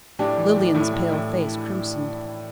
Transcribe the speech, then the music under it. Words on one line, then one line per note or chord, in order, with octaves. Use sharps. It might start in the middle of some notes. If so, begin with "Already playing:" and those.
Lilian's pale face crimsoned.
A2 D4 G4
E3
A2
A2 E4
A2
A2